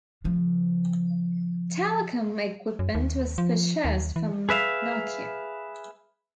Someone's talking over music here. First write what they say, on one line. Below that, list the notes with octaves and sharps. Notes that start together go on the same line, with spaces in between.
Telecom equipment was purchased from Nokia.
C#3 F3
F#2
D#2
F3
D#2
E3
G#4 B4 E5 F5